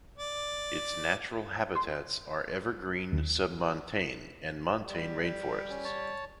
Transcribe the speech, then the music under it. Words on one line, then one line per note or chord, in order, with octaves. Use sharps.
Its natural habitats are evergreen submontane and montane rainforests.
D5
C6
D#2
G3
C#4
C#5 A5